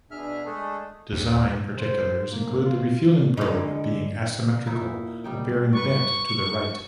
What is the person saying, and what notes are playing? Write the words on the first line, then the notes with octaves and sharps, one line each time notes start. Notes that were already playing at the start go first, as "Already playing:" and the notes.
Design particulars include the refueling probe being asymmetrical, appearing bent to the right.
B2 D4 G#4 E5 F6
G#3 A3 D4 G#4 A4
D#2
C5
A#3
F4
D3 G#3 D#4
A#2 D#4 E4
G3 D#4 G5
B4 D5 C#6